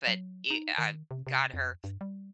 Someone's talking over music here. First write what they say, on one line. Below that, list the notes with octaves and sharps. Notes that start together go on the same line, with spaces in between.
But e I got her
F#3
D#4
D#3
C3
C3
F2
G2
G3